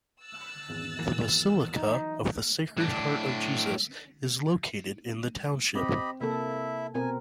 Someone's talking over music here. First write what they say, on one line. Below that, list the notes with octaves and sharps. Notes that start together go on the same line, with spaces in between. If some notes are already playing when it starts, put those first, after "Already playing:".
The Basilica of the Sacred Heart of Jesus is located in the township.
E6 F#6 A6
G#1 E2
E3 F#3 A#3
D#4
A2 D4
C4 G4 D#5 B5
C3 A#3 E4 A4 E5
B2 C4 A#4 G#5